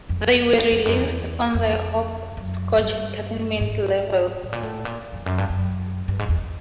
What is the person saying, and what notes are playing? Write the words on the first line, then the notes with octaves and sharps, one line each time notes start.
They were released on the Hopscotch Entertainment label.
F2
F2
F#2
E2
F2
F#2
G2
G#2
A2
A#2
A2
A#2
F2
F#2
G2
F#2
G2
G#2
E2